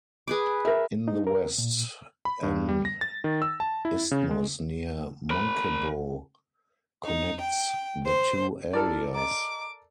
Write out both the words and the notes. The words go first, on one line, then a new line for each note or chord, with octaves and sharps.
In the west, an isthmus near Munkebo connects the two areas.
G#4 B4 D6
A#4 E5
D#4
A#4
A#2
B5
G2
G3
A#6
A6
D#3
E6
A5
E4
C#3
G#3
A#4 B5
D#4
G5
C5
E4 A4 A#4 D5 A5 F6
D#5 A#5 D6